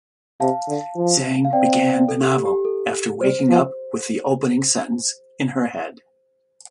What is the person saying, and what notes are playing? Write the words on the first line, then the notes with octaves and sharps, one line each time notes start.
Zhang began the novel after waking up with the opening sentence in her head.
C3 F5 A5
D3
F3
F5
C4 D5 G5
A4
G4
G4
A4
G3 C5
F3